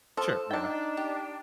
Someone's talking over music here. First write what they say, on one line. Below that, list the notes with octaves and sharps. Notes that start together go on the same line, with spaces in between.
Sure, yeah.
F3 A4
D4 D#4 G5 A5
G4